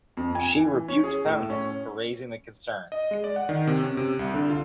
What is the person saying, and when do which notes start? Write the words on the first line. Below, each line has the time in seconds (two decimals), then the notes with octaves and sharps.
She rebuked feminists for raising the concern.
0.17 F2
0.35 G#5
0.57 E3
0.88 C#4
1.04 G#4
1.26 A2
1.50 C#4
2.92 D#5
3.11 G#3
3.24 D5
3.36 F#5
3.49 D#3
3.67 C3
3.81 C#4
3.97 C3
4.19 C2
4.34 D3
4.50 F4